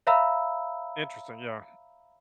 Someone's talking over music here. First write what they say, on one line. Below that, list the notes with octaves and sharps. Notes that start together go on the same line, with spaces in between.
Interesting, yeah.
C#5 E5 F5 A#5 B5 E6